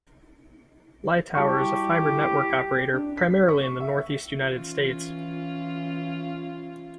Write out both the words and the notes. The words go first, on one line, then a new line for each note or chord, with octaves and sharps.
Lightower is a fiber network operator primarily in the northeast United States.
G3 E4 F#4 G4 A5 C#6
D4
B6
C#6
E5
E3 C#4 F4